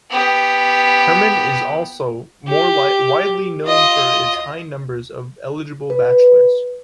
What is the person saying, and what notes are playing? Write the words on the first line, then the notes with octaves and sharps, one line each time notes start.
Herman is also more widely known for its high number of eligible bachelors.
B3 G4
G4
F4 D#5
B4